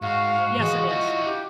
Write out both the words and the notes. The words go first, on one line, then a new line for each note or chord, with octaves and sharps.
Yes, it is,
G#2 F#4 F5
E3 G#3 F5
E4 F4 D#5
G4